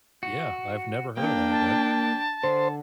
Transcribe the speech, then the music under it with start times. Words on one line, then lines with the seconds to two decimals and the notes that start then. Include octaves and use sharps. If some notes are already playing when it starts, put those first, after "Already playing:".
Yeah, I've never heard of that, but,
0.23 F#4
1.17 A#3 D4 G5
1.50 A5
2.43 D3 C5